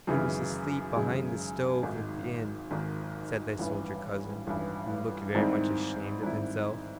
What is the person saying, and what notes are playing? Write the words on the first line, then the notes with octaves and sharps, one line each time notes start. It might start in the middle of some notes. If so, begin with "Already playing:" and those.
"He was asleep behind the stove at the inn," said the soldier cousin, who looked very much ashamed of himself.
G#1 F#2 C#3 E3 G#3
G#1 F#2 C#3 E3 G#3
G#1 G#2 D#3
G#1 G#2 D#3
A1 G2 E3
A1 G2 E3
G#2 D#3 G3 C4 E4
G#2 D#3 G3 C4 E4